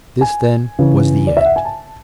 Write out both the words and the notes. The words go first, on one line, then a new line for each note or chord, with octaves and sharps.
This, then, was the end.
G#5
C#3 E3
D5
E5
F#5
G#5
A5